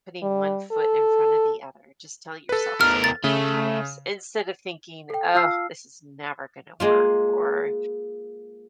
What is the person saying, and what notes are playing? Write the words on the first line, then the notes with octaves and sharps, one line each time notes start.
putting one foot in front of the other. Just tell yourself so that sometimes instead of thinking, "Oh, this is never gonna work," or
G3
A4
A4 B4
E2 A#4 F6
A6
C#3 A3
A4 G5
F4 F5 A5 E6 F6 C7
G#3 A#3 F4